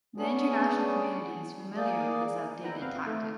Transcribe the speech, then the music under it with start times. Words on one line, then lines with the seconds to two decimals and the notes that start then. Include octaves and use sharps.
The international community is familiar with this outdated tactic.
0.18 B3 C#4 D4 G#4
1.76 A#3 G#4 D5
2.64 B3 D#4 E4 F#5 G5 A#5
2.82 G1 C4 B4 F5
3.04 A3 D#4